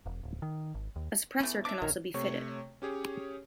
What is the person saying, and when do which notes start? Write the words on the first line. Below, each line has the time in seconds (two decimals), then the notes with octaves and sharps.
A suppressor can also be fitted.
0.06 E1
0.23 D1
0.42 D#3
0.74 G#1
0.96 D#2
1.40 E3 A3 B3
1.65 D4 E5 D6
1.82 A#1 D#3 A#4 C#5
2.14 C3 A3 C#5 C#6
2.82 C#4 G4 G#4 C#5